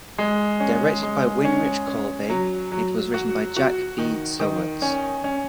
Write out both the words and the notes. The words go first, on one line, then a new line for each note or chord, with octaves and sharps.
Directed by Winrich Kolbe, it was written by Jack B. Sowards.
G#3
C#4
G#3
C#4
C#4
F#3
F#3
F#4
F#4
D#3
D#3
C#4
C#4